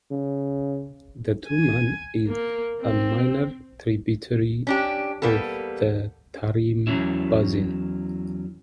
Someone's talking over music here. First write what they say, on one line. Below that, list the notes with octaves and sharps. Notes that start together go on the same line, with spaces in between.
The Tuman is a minor tributary of the Tarim Basin.
C#3
G#5
A#3
C4
C#4 D4 G4
G3 A#3 B3 A4
E2 D#3 F#3 C#4 E4